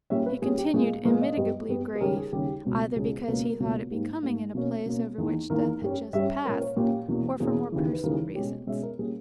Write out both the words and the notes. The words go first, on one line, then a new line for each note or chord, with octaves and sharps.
He continued immitigably grave, either because he thought it becoming in a place over which death had just passed, or for more personal reasons.
A#2 G3 C#4 E5
B4
A#2 G3 C#4 G#4
G4
A#2 G#3 B3 G#4
A#2 G#3 B3 A#4
D#5
G2 G3 B3
G2 G3 B3
G#4
D#2 C#3 G3 C#4 A#4
G#4
D#2 C#3 G3 C#4 G4
C#2 B2 G#3 C#4
C#2 B2 G#3 C#4 G#4
C#2 B2 A#3 C#4 B4
A#4
C#2 B2 A#3 C#4
G#2 G3 A#3
G#2 G3 A#3
B2 A#3 C#4
B2 A#3 C#4
E2 D#3 A#3
E2 D#3 A#3 A#4
G2 G3 C#4
G2 G3 C#4 E5
A#2 A#3 C#4 A#4
C#5
A#2 A#3 C#4 G4
E2 B2 A#3 C#4
E2 B2 A#3 C#4 G#4
D#2 C#3 E3
B4
D#2 C#3 E3 A#4
B2 G#3 C#4 G4
B2 G#3 C#4 E5
A#4
A#2 G3 C#4 G#4